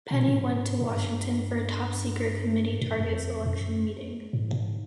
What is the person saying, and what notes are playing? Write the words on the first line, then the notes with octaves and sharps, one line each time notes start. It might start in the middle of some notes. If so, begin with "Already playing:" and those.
Penney went to Washington for a top secret committee target selection meeting.
B2
A#2
A2
G#2
G2
G#2
G2
F#2
F2
F#2
G#2
A2
G#2